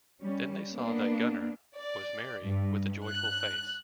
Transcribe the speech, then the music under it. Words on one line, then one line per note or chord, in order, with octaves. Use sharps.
Then they saw that Gunnar was merry, with a joyful face.
G3 C#4
A#3 B3 D4
D5
G2
F#6